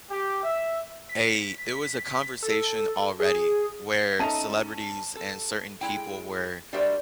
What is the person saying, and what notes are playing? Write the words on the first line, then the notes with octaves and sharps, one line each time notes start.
a it was a conversation already where celebrities and certain people were,
G4
E5
B6
A4
G#4
C#4 D#4 A4 D#5 E5 A5 A#5 D#7
A4
G#3 E4 G5
G3 D4 F#4 A#4 C5 E5